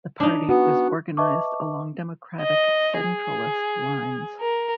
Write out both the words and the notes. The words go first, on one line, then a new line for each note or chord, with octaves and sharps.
The party is organised along democratic centralist lines.
D4 D#4
B3 F#4
B4 D#5 E5 A5 C#6 D6
D#5
G#4
A#4